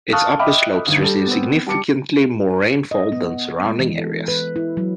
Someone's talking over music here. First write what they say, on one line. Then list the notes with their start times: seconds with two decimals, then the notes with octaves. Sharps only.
Its upper slopes receive significantly more rainfall than surrounding areas.
0.13 F5 A5 C#6 D#6 F6 F#6
0.39 D#5 E5 G5 B5 D6 F6
0.87 G1 D#2
1.02 G3 G4 A4
1.27 B3 C4
1.66 G3 A5 D6 C#7
2.91 D#5
3.12 B3
3.66 G#3
3.79 E3
3.98 A4
4.28 B4
4.56 E4
4.77 F#3